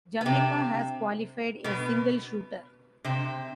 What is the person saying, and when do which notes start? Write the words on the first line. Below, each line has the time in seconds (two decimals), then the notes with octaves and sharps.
Jamaica has qualified a single shooter.
0.21 B3
0.25 C3 C4
1.64 B2 B3
3.04 C3 C4